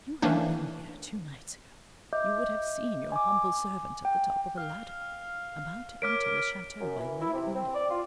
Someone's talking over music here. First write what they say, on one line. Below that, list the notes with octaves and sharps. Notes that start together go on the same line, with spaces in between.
"If you had been here, two nights ago, you would have seen your humble servant at the top of a ladder, about to enter the chateau by that window."
D#3 E3 A3 A#3 C#4 D4
D#5 E5 D6 G6
G#5 D6
G5
F5 F6
A#4 C#5 D6 F6 B6 D7
F#2
E3
E4
C3
C4
D5
F4